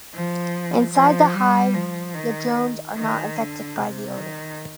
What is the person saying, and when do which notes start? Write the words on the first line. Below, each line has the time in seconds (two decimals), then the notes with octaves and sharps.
Inside the hive, the drones are not affected by the odor.
0.14 F3
0.94 F3
1.34 G3
1.75 F3
2.15 D#3
2.96 D#3
3.36 D3
3.77 C3
4.17 D#3